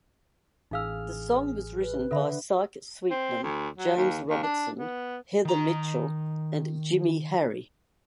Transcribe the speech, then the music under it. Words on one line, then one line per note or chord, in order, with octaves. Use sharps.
The song was written by Syke Sweetnam, James Robertson, Heather Mitchell, and Jimmy Harry.
A1 D#4 G#4 F5 E6 F6
B4
D3 A4 E5 B5
C4
D2
F#3
D#2
D#2
D4
B3
D#3 A#5